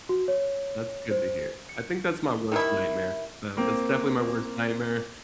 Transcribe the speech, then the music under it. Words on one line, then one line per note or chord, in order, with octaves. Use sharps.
That's good to hear. I think that's my worst nightmare. Yeah, that's definitely my worst nightmare.
F#4
C#5
C5
C#7
D#3 G3 E4
A#3 C4